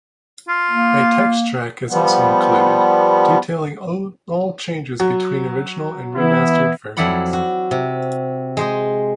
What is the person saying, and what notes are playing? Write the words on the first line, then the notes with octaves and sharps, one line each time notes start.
A text track is also included, detailing all changes between original and remastered versions.
F4
A#3
F3 G3 B3
F#3
E3 B3 E4
F2 F#3 E4 D5 F#5 B5
F#4
C3
G#3 C5 D#5